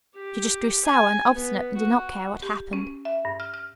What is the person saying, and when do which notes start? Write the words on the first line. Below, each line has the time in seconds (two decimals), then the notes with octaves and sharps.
She just grew sour and obstinate and did not care what happened.
0.16 G4
0.85 G#5
1.34 B3
1.77 F#4
2.42 G4
2.73 C#4
3.05 E5
3.25 G2
3.40 F6
3.54 F6